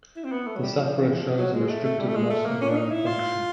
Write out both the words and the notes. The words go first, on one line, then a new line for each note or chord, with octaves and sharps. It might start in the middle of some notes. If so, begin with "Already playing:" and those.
The sufferer shows a restrictive loss of lung function.
E4
C4
B3
A3
F#3
G3
F3
E3
F3
F#3
G#3
A3
A3
G3
A3
G#3
A3
A#3
C#4
D4
D#4
E4
F4